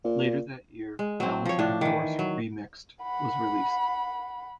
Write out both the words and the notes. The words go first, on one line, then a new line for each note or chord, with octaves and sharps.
Later that year, "Balance of the Force - Remixed" was released.
A#2
G#3
F#3 C4
F3 C#5
A2 D4
D#3 E3
F#3
F#5 B5